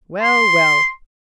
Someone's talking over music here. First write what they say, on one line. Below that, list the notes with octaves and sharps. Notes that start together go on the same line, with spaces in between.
Well, well!
C6